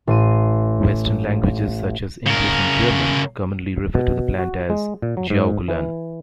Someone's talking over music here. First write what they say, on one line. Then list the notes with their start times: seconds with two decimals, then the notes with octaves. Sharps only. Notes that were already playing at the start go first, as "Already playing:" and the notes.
Western languages such as English and German commonly refer to the plant as jiaogulan.
0.07 A1 C6 D#7
2.27 C#3 A#4
3.95 B2
4.39 F#4
4.70 G#3
5.02 A#2
5.17 F#3
5.30 G#2
5.68 E3